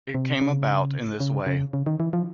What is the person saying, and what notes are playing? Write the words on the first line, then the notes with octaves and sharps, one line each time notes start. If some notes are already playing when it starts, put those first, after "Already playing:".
It came about in this way.
C3
C#3
C#3
C#3
C#3
D#3
E3
F3